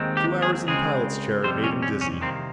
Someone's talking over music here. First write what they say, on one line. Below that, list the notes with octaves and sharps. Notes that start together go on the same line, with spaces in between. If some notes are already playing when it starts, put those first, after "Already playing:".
Two hours in the pilot's chair had made him dizzy.
Already playing: D#2 D#3 G#3 C4
G4
G#4
C#2 C#3 G#3 C4 G#4
F2 C3 G3 C4 C5
C#4
C#4
C#4
C2 C3 D#3 A#3 C4